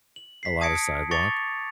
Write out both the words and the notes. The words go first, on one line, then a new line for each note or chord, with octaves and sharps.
a lot of sidewalk.
F#7
B6 C7
A5 D#6 G#6 A#6 C#7 D7
C#6 D6 A6 A#6 C#7 F7